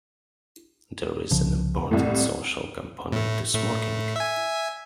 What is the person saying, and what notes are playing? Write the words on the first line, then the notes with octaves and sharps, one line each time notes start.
There is an important social component to smoking.
C2 C#3 F3
C2 A2 A3
A2 A3
A2 A3
E5 G#5